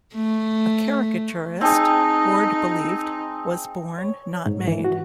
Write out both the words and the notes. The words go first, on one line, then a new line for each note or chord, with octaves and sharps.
A caricaturist, Ward believed, was born, not made.
A3
C4 D#4 G#4 G5 A5 D#6
C#5
G#2
E3
F#4